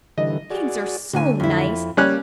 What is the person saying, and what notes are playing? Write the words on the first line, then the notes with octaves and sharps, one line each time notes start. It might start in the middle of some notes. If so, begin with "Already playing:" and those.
"Pigs are so nice!"
D3 E3 G3 D#5
F#4 G#4 D5
D2 D3 G#5
F2 E4
G3 A#3 C#4 F#6